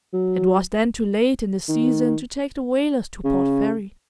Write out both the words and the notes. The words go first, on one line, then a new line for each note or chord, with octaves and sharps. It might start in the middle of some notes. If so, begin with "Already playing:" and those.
It was then too late in the season to take the whalers to Port Fairy.
F#3
D#3
C#3